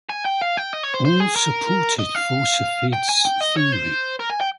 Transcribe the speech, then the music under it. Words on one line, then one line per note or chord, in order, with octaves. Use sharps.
All supported Forshufvud's theory.
G#5
G5
F5
G5
D#5
C#5
C5
C5
G#4
A#4
D#5
F5
G5
G#5
G5
D#5
C#5
C5
A#4
G#5
G5